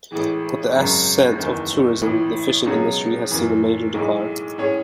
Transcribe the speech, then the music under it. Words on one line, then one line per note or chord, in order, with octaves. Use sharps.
With the ascent of tourism, the fishing industry has seen a major decline.
A1 A2 E3 G#3
G#1 F#2 C#3 F#3
F#1 E2 D#3
A1 A2 E3
C#2 B2 F#3 C#4 G#4
F#1 F#2 E3
B1 A2 G#3 D#4
A2 G#3 C#4 G#4 C#5